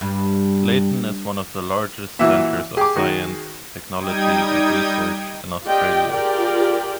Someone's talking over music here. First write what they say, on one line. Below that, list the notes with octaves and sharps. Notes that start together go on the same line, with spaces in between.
Clayton is one of the largest centres of science, technology and research in Australia.
G2
A#2 E3 E4 F#4 E5
G4 G#4 D6
D#3 F#4
G3 D#4 G5 D#6 G#6
F4 G4 D5 D#5 G5
F4 G4 G#4 A#4 D5 G5